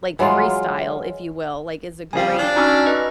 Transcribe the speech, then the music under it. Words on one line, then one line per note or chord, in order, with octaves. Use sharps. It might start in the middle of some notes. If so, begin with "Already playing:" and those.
like, freestyle, if you will, like, is a great
E3 F#3 G#3 F4
C#3 F3 G3 C4 F5 G#5
D4
C#4 D#4 F#4 A#5 D6 E6 F6
B4 D#5